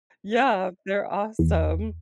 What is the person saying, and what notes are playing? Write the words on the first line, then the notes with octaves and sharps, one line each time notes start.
Yeah, they're awesome
E2